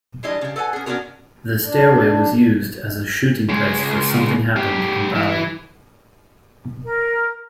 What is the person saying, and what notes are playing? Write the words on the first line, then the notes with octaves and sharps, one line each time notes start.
The stairway was used as a shooting place for Something Happened in Bali.
E3 G3 G#3 D4 D#5
C#3 G4
A4 B4 F#5 G#5
C#4 G#4
B3 C#4 D4 F4 F#4 A#4
D4
C#2 G#3
G#2 G4
E3
A#4